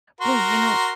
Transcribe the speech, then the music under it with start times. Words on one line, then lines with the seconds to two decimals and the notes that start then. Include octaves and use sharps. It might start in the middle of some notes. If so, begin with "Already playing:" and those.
Boy, you know
0.21 F#4 A#4 C6